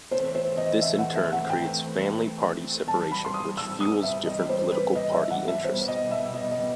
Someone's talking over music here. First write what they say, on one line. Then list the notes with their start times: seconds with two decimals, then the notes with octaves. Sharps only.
This in turn creates family-party separation which fuels different political party interest.
0.11 E3 A3 C4 C5
0.35 C5
0.57 D#5
0.81 E5
0.98 F#5
1.15 E5
1.32 F#5
1.50 G5
2.88 E3 G3 C4 A5
3.11 B5
3.25 C6
3.34 D#6
3.57 E6
3.80 D#6
4.03 E5
4.26 D#5
4.49 C5
4.72 B4
4.95 D#5
5.13 E5
5.30 F#5
5.47 E5
5.64 B2 G3 B3 C5
5.88 D#5
6.11 E5
6.34 D#5
6.51 D#5